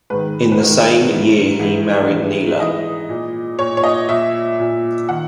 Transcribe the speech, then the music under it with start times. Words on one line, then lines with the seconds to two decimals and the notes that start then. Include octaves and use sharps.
In the same year he married Neeley.
0.10 G#2 D#3 B4
0.52 B4
0.60 G#2 D#3 A#4
1.10 G#2 E3
1.60 G#2 E3
2.10 G#2 E3
2.60 G#2 E3 D#5
3.09 A#2
3.59 A#2 C#5
3.77 C#5
3.84 D#5
4.09 A#2 E5
4.60 A#2
5.09 D#3 F#5